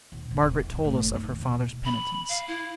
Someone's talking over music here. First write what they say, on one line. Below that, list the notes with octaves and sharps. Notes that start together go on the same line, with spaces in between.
Margaret told us of her father's penitence.
D#1
D#1
E1
E3
F2
A2
F#1
D#4
D#2
B2
B5
F5
E4